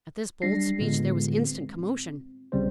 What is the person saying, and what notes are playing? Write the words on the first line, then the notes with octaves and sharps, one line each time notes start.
At this bold speech there was instant commotion.
G3 D4 A#6 C7
A2 D3 G#3 B3 F4
C4
B1 C#3 G3 C4 C#4 C5